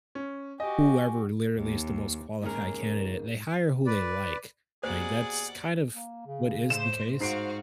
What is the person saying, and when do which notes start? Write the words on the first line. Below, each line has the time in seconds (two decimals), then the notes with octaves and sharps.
whoever, literally, is the most qualified candidate. They hire who they like, lke, that's kind of, what is the case,
0.15 C#4
0.60 F#4 G4 D#5 G#5
1.56 D#2
2.42 D#2 G#2 C#3 G#4 A#4
3.86 B4 D5
4.83 D#2 B2 G#4 C5 D5 F#5
5.94 A#3
6.26 C#3
6.70 A2 C5 E7
7.20 G#2 F#4 C5 F5 C7 D7